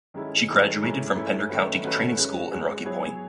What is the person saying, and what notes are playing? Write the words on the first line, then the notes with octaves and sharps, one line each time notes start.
She graduated from Pender County Training School in Rocky Point.
D#3 G#3 C#4 E4 A4
D#3 G#3 C#4 E4 A4
G#2 E3 A3 C#4 E4
G#2 E3 A3 C#4 E4
D#3 A3 C#4 F#4 B4
D#3 A3 C#4 F#4 B4
C#3 G#3 C#4 F#4
C#3 G#3 C#4 F#4
F#3 B3 E4 G#4 C#5